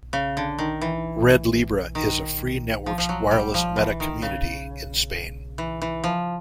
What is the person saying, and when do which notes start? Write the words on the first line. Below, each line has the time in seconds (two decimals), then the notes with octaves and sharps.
RedLibre is a free networks wireless meta community in Spain.
0.13 C#3
0.37 D3
0.59 D#3
0.82 E3
1.95 D#3
2.86 F3
2.98 F3
3.09 F#3
3.31 G3
3.54 F3
3.76 E3
4.00 D#3
4.22 C#3
5.58 E3
5.82 E3
6.04 F3